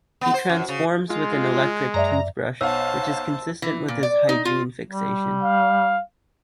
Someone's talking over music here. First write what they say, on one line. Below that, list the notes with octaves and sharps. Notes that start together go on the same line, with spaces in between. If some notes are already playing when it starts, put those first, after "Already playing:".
He transforms with an electric toothbrush, which is consistent with his hygiene fixation.
B3
C5
F#2
C#3
G#3 F4
F#2 D5 E5 A#5
B1 C5 C#5 F5 F#5 A5 E6
E3
A#2
D5
D#4
F4
G3
F5